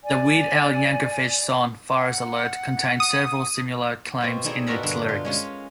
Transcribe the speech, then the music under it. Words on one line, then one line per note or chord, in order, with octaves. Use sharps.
The "Weird Al" Yankovic song "Virus Alert" contains several similar claims in its lyrics.
D5 G#5
F#5
D#6
B2 C4 F4
A3 D#4 E4 G#4 D5 D#5
B2 F4 F#4 A4 A#4 B5
G2 D3 G3 D4
F4
G#3 C#4 F4